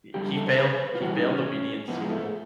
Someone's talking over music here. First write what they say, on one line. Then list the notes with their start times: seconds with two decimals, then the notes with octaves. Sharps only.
i he failed he failed obedience school,
0.14 F2 D3 G3 G4
0.36 A4
0.47 C5
0.58 B4
0.95 F4
1.01 A2 E3 G3 F#4
1.16 D#4
1.30 C#4
1.88 A2 F3 B3
2.01 G#3
2.10 A3